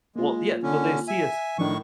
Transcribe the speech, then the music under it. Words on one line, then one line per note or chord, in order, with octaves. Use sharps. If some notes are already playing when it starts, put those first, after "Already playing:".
Well, yeah, well, they see us
G#3 A#3 F4
D3 C#4
E5 G#5
A2 D#3 F3 D4 C#6